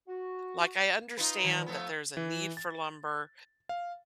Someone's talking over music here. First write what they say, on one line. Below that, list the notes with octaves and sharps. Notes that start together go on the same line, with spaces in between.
Like, I understand that there's a need for lumber,
F#4
D#4 F4 B4
D#3 G3
F3 A3 B3
E3
A6
F5